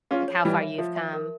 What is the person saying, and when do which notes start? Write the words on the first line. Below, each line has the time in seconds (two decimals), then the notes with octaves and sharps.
like, how far you've come
0.11 C#4 F4 G#4
0.28 C#5
0.44 E3 G3 F4
0.62 E5
0.78 F3 E5
0.96 E5
1.13 A#4